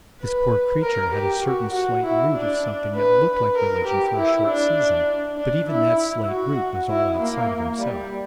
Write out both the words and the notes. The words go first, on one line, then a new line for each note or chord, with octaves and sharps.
This poor creature had a certain slight root of something that looked like religion for a short season, but even that slight root was all outside of himself.
B4
A#4
G4
F#4
F#4
E4
D4
B4
A#4
G4
E4
D4
D4
E4
F#4
E4
A#3
G3